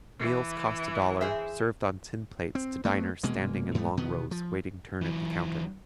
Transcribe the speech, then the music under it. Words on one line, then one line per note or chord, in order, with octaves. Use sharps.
Meals cost a dollar, served on tin plates to diners standing in long rows waiting turn at the counter.
E3
G#4 C5 E5
C4
A3 B3 C4
D#1 B2 G#3 A#3
G#2 G3 B3
B2 D#3 B3
F3
E3 F#3